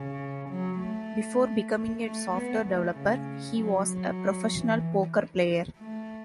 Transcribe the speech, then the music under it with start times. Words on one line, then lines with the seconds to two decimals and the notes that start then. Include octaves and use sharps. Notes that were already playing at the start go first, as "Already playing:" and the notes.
Before becoming a software developer, he was a professional poker player.
Already playing: C#3
0.49 F#3
0.79 A3
1.73 A3
2.04 A3
2.35 B3
2.66 A3
2.98 C#3
3.60 F#3
3.91 F#3
4.54 E3
5.78 A3